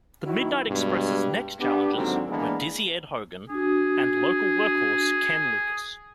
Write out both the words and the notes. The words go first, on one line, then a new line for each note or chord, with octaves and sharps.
The Midnight Express's next challengers were "Dizzy Ed" Hogan and local workhorse Ken Lucas.
D#3 F#3 E4
G2 B2 G#3
B3 D4 G4
G#2 D3 D#3 F#3 A#3 C4
E3 G#3 A#3 B3 D4
D4 F#4 G#4